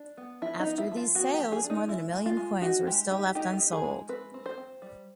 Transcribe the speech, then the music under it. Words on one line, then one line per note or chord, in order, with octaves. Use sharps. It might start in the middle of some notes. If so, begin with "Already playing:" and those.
After these sales, more than a million coins were still left unsold.
Already playing: D4
B3
F3 E4
D#4
B3
E4
F3
F4
B3 F#4
G4
F3
G#4
D4
D#4
G#3 E4
G#3
F4
G#3
D#4 F#4
G#3 G4
D#4 G4
D#4 G4
G4
D#4
G#4
G#3
C4 B4
C4
C5
C4
G3